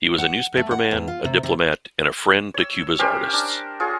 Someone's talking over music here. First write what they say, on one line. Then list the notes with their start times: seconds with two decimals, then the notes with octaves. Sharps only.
He was a newspaperman, a diplomat, and a friend to Cuba's artists.
0.18 F#5
0.57 A3
0.71 F#5
0.91 E2
1.08 F4
1.25 C3
1.43 C3
2.54 C#5 E6
2.99 C#4 G4 A#4 C5
3.33 D4
3.80 F4 G#4 C#5